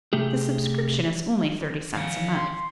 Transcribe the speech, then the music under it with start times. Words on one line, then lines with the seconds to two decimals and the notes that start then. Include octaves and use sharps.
"The subscription is only thirty cents a month."
0.13 C3 A3 G4 G#4
1.96 D#3 F3 F5 G#5
2.35 C6